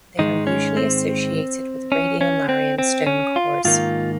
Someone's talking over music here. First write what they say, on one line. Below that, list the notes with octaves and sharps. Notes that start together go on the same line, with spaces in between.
They are usually associated with radiolarian stone cores.
G#2 D#3 G#3 D#4
C#4
C4
C#4
C#4
C4
C4
C#4
F4
G#2 D#3 A#3 F4